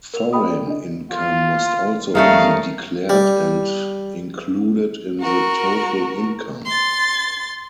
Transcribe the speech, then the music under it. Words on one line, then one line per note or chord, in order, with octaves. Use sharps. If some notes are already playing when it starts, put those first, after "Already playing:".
Foreign income must also be declared and included in the total income.
A#4 F7
G#4 A#4 D#5 G5 B5 D#6
A4 D5
D4 D#5
F4
F2 D#3 G3 A3 C#4 F5 A#5
G3
F#4 A#4
C6 A6